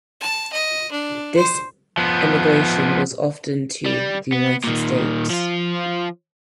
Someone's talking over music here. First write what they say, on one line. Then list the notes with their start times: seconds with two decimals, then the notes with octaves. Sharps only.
This emigration was often to the United States.
0.21 A5
0.53 D#5
0.92 D4
1.36 C5
1.97 F3 B3
3.86 G3
4.32 B3
4.64 A#2 D#3
5.30 F3 F4